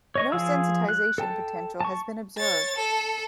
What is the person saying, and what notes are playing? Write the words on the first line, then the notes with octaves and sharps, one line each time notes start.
No sensitization potential has been observed.
C#5 D#5 C#6
F3 G#4 F5 E6
F#6
A4 G5 A5
A5 C#6
C#5 A6
A4